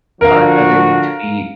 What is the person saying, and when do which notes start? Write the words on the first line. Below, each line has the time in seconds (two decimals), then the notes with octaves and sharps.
uh, doesn't need to be
0.21 D3 F3 F#4 A#4 F5